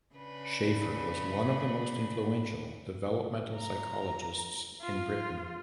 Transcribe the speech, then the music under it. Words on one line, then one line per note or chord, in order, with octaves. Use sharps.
Schaffer was one of the most influential developmental psychologists in Britain.
C#3 D4 B4
A#5
F4